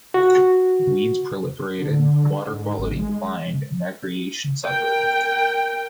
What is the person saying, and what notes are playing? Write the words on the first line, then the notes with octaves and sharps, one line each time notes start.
Weeds proliferated, water quality declined, and recreation suffered.
F#4
D3
G#2
G#1
G#3
A#4 G5